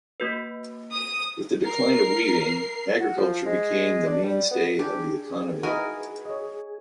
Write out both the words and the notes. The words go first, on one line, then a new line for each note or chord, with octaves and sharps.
With the decline of weaving, agriculture became the mainstay of the economy.
A#3 F#4 B4
D#6 D#7
A#4 C7
F#4
F3
G#3
D4
G3
B3
D4 G4 G#4
D#4 E4 F#4 A#4 B4 D#5 G#5
C#5 D#5